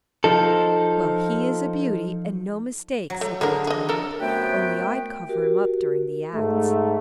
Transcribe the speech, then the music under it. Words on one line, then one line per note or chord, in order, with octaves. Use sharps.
'Well, he is a beauty, and no mistake,' said the attendant, 'only I'd cover him up during the acts.
F3 D#4 A4
F#3
A3
D3 G#4 A#4
G#4 D#5
A4 A#4
F#2 C3 A3 B3 B4 G5
F#4 G4 A#4
G#2 A3